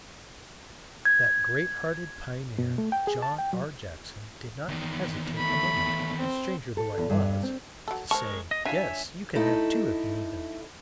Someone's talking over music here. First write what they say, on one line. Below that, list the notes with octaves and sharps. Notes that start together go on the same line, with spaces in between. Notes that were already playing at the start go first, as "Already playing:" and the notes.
That great-hearted pioneer, John R. Jackson, did not hesitate a moment, stranger though I was, to say, "Yes, you can have two if you need them."
G#6
B2
A3
G5
G#4
A5
G5
F#3
E2 D#3
A3 B5
C4
A4
E2
G2
C4
F#3 A4
G#3 A#4 C5 A5 C#6
D#5
D4 F4 C#5 E5 G#5
A3 D#4 E4